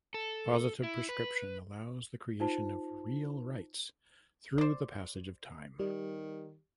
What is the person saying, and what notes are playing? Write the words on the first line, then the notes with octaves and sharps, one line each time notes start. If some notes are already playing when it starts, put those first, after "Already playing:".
Positive prescription allows the creation of real rights through the passage of time.
A4
E4
B4
D#4 F4 C5 A5
C5 D5
D#3 G3